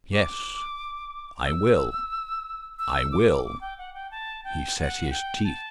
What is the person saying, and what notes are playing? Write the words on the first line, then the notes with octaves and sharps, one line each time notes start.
"Yes;--I will!--I will!" He set his teeth.
D6
E6
E6
D6
D6
G5
F#5
G5
A5
G5
F#5
G5
A5